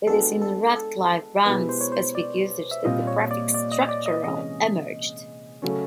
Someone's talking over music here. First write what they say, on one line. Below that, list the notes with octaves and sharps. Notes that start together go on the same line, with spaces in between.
It is in Radcliffe-Brown's specific usage that the prefix 'structural' emerged.
G#3 B3 D4 F#4 A4
A4
A4
B2 G#3 B3 E4 G4 B4
C5
C#5
C5
D5
E5
A#2 G3 C4 F4 D#5
C#5
D5
D5
D#5
D5
D#5
C3 E3 G#3 C#4 D#5
C#3 F#3 A3 C#4